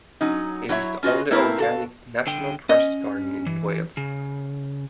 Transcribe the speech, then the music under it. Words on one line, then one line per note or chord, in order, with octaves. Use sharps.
It is the only organic "National Trust" garden in Wales.
F#3 C#4 D#4
F#3 E4 C#5 E5
C#4 F4 F#4 B4 D#5
A3 A#3 C4 E4 A#4 B4
F#4 A4 F5
D3 G5
C#4 D#5
E3
C#3